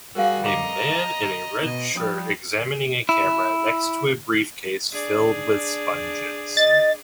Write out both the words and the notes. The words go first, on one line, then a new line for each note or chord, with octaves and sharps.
A man in a red shirt examining a camera next to a briefcase filled with sponges.
G3 F#4 G#4 A#4 B4 F5
D#5 A#5 D6
B2 D#5
F3 G3 D4 D#6
E4
D4 G#4 D5
D#5 A6